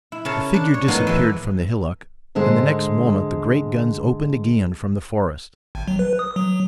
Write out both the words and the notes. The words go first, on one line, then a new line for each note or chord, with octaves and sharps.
The figure disappeared from the hillock and the next moment the great guns opened again from the forest.
E4
C#3 A#4 C#5 A5
D4
C#5
A2 A#3 B3 D#4
E3 G#3
G#2 D3 G#3 C5
G#1
F#3
B4
D#6
F#3